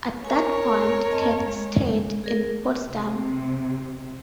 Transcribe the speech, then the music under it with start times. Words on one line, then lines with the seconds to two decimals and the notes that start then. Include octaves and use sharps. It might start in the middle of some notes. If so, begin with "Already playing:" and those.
At that point Katte stayed in Potsdam.
0.25 A#4 C#5 G#5 C#6
1.11 C4 D#5 A5
1.46 G#3
2.24 G#4 A#4
2.88 C3